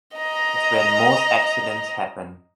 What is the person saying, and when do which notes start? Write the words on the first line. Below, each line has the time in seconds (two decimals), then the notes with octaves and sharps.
It's when most accidents happen.
0.16 D#5 A#5